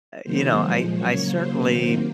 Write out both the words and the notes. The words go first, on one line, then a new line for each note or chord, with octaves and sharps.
you know, I I certainly
C3 D#3 F#3 A#3 C5
A#2 F3 G#3
C#3 F#3 A#3 C#5
C#3 F#3 A#3 C5
C3 D#3 F#3 A#3 C5